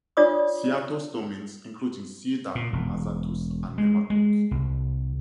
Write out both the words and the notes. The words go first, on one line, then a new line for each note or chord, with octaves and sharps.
Cyathostomins, including "C. nassatus," are nematodes.
D4 F4 C#5 D5 D6 D#6
A#2
E1
G#3
G#3
C2